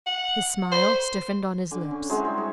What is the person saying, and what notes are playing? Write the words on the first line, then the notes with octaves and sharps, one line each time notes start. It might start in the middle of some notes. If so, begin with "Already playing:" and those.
His smile stiffened on his lips.
F#5
C5
D3 G#5 D6
C#4
F#3 G#3 C4 E4
G3 C5
C#5